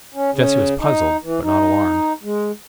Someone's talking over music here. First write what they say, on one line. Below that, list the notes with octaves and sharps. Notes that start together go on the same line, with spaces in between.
Jesse was puzzled but not alarmed.
C#4
C#3
D#4
E3
D#4
G#3